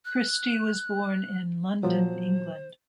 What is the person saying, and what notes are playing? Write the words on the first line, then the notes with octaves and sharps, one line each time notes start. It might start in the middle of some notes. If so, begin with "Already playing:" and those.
Christy was born in London, England.
F#6
A#2 F3 F#3 C5